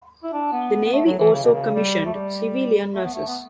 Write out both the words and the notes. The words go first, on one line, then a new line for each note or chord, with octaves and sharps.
The Navy also commissioned civilian nurses.
E4
D4
B3
B3
A3
F#3
E3
C#3
B2
C#3
G3
A3
G3
A3
B3
A3
B3